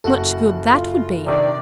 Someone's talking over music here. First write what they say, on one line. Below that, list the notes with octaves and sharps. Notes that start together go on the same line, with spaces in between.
"Much good that would be!"
F#1 F#4 A4 F#7
F4
C3 D#3 D4 D5